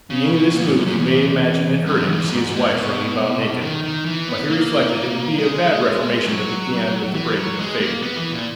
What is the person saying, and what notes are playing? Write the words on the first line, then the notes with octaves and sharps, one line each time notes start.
Being in this mood you may imagine it hurt him to see his wife running about naked, but he reflected it would be a bad reformation that began with breaking faith.
C#3
B2
A#2
G#2
F#2
F#2
E2
F#2
E2
G#2
A#2
B2
D#3
D#3
E3
B3
A#3
G#3
F#3
E3
F#3
G#3
A#3
B3
E3
A#2